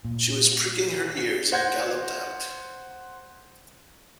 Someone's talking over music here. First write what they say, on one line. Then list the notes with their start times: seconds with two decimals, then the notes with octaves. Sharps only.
She was pricking her ears and galloped out.
0.05 A#2
1.52 C5 F#5 G6 G#6 A#6